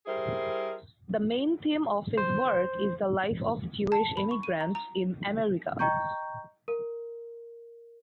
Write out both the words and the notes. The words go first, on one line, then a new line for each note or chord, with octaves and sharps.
The main theme of his work is the life of Jewish emigrants in America.
G3 E4 G#4 A#4 C5
C5
A5
B5
C#6
D#7
A#5
A#5
D#5 G5 A#5 C#6 G6
A#4